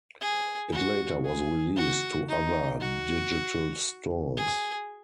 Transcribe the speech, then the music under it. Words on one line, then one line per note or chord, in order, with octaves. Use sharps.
It later was released to other digital stores.
G#4
F#4
G#4
F#4
D#4
F#4
G#4